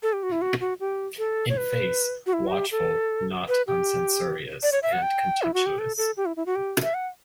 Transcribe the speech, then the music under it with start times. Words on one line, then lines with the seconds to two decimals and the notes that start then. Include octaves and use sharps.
In face: watchful, not uncensorious, and contemptuous.
0.03 A4
0.13 G4
0.23 F#4
0.32 E4
0.42 F#4
0.60 F#4
0.80 G4
1.18 A4
1.49 C#5
1.57 B4
2.26 F#4
2.33 E4
2.48 F#4
2.52 G4
2.71 A4
3.49 B4
3.67 G4
4.63 D5
4.72 C#5
4.83 E5
4.93 F#5
5.02 G5
5.42 E4
5.54 F#4
5.66 G4
5.79 A4
5.98 A4
6.17 G4
6.26 E4
6.36 E4
6.46 F#4
6.56 G4
6.83 E5
6.94 F#5